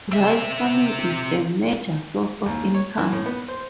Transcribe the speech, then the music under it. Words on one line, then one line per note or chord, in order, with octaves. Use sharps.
Rice farming is the major source of income.
C4 E5
D#2
C#5
E3
A2
B3
C5